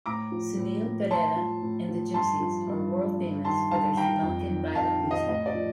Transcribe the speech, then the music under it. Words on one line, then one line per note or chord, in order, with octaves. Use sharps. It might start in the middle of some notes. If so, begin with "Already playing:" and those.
Sunil Perera and the Gypsies are world-famous for their Sri Lankan baila music.
A2 A#5 D6
F3
A2
F3
A2 A5 C6
F3
A2
F3
G2 A5 C6
F3
G2
F3
G2
D#3 A5 C6
G2 F5 A5
D#3 G5 A#5
F2
D#3
F2 F5 A5
D#3
D#5
A2 D#5
D5
F3